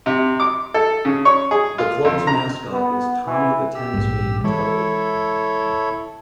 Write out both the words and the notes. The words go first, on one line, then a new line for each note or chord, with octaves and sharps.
The clubs mascot is Tommy The Thamesmead Toad.
C3
D6
A4
C#3
C#5
G#4
F4
F2
A#5
B3
E3
G4 E6
A#1 G#2
E3 G#3 E4 A4 C#5